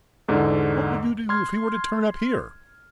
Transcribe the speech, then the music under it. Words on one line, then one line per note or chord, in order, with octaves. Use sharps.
What would you do if he were to turn up here?
E2 G#2 D3
C6 F6 G#6